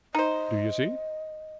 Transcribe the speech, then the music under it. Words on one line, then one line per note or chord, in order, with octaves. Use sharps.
"Do you see?"
D#4 C5 D#5